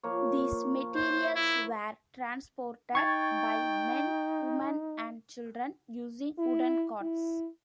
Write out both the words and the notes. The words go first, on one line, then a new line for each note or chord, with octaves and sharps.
These materials were transported by men, women, and children using wooden carts.
F3 A#3 C#5
C5
E4
D#4 G5 C#6 G#6 A6
E4
E4